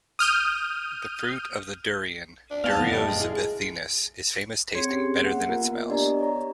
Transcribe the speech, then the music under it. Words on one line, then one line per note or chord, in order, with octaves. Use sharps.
The fruit of the durian, "Durio zibethinus" is famous, tasting better than it smells.
D#6 F6 G6 D#7
D4
G3 B3 D#4 F5 G#5 A5
F2 D3 B3
G3 D#5 E5 G5
F#2 A2 G#3
E4 G#4
C4 G#4 C#5 C6 G#6 C#7
C#4 G4 C7
A#3 F#5
A#3 B3 F4 A#4
B3 D4 G4 D5 D#5 A#5
C#5 A#5